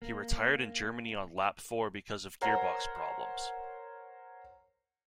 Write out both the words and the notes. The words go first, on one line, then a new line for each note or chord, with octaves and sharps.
He retired in Germany on lap four because of gearbox problems.
A#3
A#4 C5 C#5 F#5 A#5